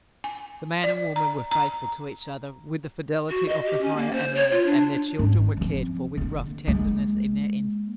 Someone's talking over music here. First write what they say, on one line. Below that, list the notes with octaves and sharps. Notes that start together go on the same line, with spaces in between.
The man and woman were faithful to each other with the fidelity of the higher animals and their children were cared for with rough tenderness in their infancy.
G#5
D5
A#5
A#5
F#4
D#5
G4
C#4
A#3
C5
C#5
F4
D4
G#1 C#4
F3 C4
D3 A#3
G#3 A#3